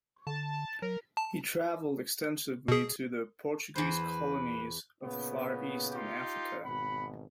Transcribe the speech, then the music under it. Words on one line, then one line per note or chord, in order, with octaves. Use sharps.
He travelled extensively to the Portuguese colonies of the Far East and Africa.
D3 A5
F#3 A#4
A5
B2 G#4
E2 B4 C5
A#2 C#3 B3
D#4 F4 G4
G#1 B2 F#5 B5